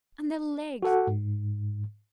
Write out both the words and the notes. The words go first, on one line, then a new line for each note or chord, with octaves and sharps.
And the legs!...
F#4 A4 F#5
G#2